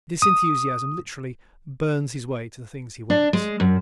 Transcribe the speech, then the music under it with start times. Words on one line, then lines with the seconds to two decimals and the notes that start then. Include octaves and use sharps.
This enthusiasm literally burns his way to the things he wants.
0.22 D#6
3.10 D4
3.33 G#3
3.60 F#2